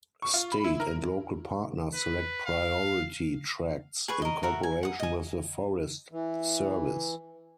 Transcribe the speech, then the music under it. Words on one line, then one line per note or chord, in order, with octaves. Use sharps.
State and local partners select priority tracts in cooperation with the Forest Service.
C#6
F4
B5
E4
A#4
B4
F5
G#4 B4 C#6
A#4 D#5
F#4 A#4 E5
G#5
F#5 D#6
D#5 G#5
E3